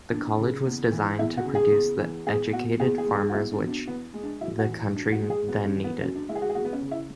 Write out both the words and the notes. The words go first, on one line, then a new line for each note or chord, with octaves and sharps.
The college was designed to produce the educated farmers which the country then needed.
E2 D4
C#3
E2
E3
E2 E4
F#4
C#3
G#4
E2
E3
E2 G#4
B2 F#4
E2 G#4
G#4
G#3
G#4
F#4
E2 E4
D4
B2
D4
E2 B3
G#3
D4
F#2 E4
F#4
E3
F#2 D4
F#4
G#3
G#4
F#2 B3
C#4
E3
B3
F#2 C#4
D4
G#3 E4
G#4
F#4
G#4
E2 F#4
B3
C#4
C#3
E4